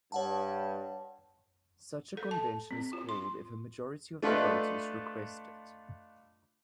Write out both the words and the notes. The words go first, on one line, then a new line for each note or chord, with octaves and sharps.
Such a convention is called if a majority of the voters request it.
G2 C#5 F#5 A5
A4
A5
C4
F4
C6
A3 D4 F4 A4 B4 D#5